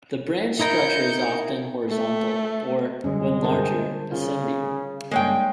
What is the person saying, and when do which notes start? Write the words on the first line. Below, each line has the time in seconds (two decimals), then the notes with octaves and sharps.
The branch structure is often horizontal or, when larger, ascending.
0.60 D#4 E4 A#4 G6 C#7
1.89 A3
3.04 F#2 D3 G3 G#3 C#4
3.44 G1 A#4 C5 A5
4.11 C#3 F4
5.11 G2 G#3 A#3 C#5 G5